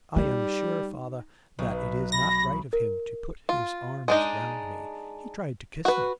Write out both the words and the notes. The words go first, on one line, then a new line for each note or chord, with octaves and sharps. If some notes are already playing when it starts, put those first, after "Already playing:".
'I am sure, father, that it is not right of him to put his arms round me--he tried to kiss me.
G3 D#4
B1
B4
B5 A#6
A#4
F4
G#3 D4 D#4
F#4 B4